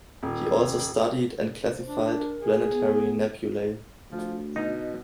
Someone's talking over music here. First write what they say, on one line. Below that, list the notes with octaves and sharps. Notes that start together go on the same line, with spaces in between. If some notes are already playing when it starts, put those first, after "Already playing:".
He also studied and classified planetary nebulae.
D#1
C5
D4
A#4
G#4
B3
D2 F3
B2 D#4 A#5